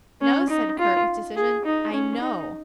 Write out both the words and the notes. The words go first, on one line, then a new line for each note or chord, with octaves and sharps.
"No," said Kurt with decision, "I KNOW."
C#4
D#4
F4
G#4
D#4
C#4
D#4